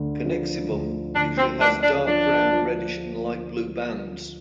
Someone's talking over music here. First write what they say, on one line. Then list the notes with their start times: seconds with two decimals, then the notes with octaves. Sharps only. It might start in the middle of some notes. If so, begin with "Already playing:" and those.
Connexivum usually has dark brown, reddish and light blue bands.
Already playing: D2 D3
0.25 F3
0.70 D2
1.15 D3 D4
1.38 C4
1.61 A3 D4
1.83 D4
2.06 F3 D4
2.52 F3